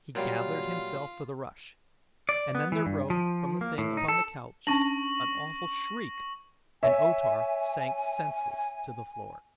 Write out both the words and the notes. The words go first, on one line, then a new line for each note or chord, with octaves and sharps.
He gathered himself for the rush--and then there broke from the thing upon the couch an awful shriek, and O-Tar sank senseless to the floor.
A#2 F#3 G3 F4
D5
B3
E3
G2
F3
A#3
A2
D#4
A4
C#4 D4 C#6 A#6 F#7
C#5 E5 G#5